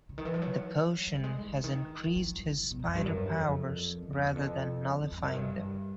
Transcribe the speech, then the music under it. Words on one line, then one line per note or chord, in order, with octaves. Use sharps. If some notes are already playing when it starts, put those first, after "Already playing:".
The potion has increased his spider powers rather than nullifying them.
C#3
D#3
E3
F3
F#3
G#3
G3
G#3
E3
D#3
D3
D#3
E3
F3
F#3
F#3
C3
B2
F#2
F2
G2
F#2
F2
F#2
F2
E2
F2
F2
F2
F#2
G2